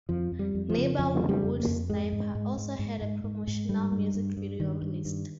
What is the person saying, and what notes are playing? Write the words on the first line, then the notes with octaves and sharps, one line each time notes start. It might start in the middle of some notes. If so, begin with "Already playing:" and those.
"Neighborhood Sniper" also had a promotional music video released.
F2 F3
F2
G3
F2
F3
C#3
F2 F3
C#3
G3
F2
A#3
F2
G#2 G#3
G#2
G#2
G#2
G#2
G#2
G#2
G#2
G2 G3
G2
G2
G2
G2 D#3
G2
G2